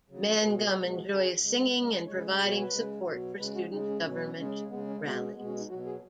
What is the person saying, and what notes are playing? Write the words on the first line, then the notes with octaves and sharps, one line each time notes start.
Mangum enjoys singing and providing support for student government rallies.
C#3 F#3
B2 G#3 B4
G#4
B2 G#3 F#4
F#4
C#3 F#3 G#4
C#3 G#3
C#3 G#3 B4
B4
C#3 G#3 C#5
B4
G#4
B2 F#3 G#4
C#5
B4
C#3 G#3
B2 F#3
C#3 G#3 B4
F#4
C#3 G#3 D#4
C#4
B2 F#3 C#4
B4
C#4
C#3 G#3 C#4
C#3 G#3 B3
C#4
B2 G#3 B3
C#4
G#3 B3
B2
C#4
D#4
B2 F#3 F#4
G#4